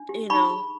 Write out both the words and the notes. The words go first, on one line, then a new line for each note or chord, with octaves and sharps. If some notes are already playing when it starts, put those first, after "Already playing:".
you know?
Already playing: D4
G4
D#4 B5 C#6
G#4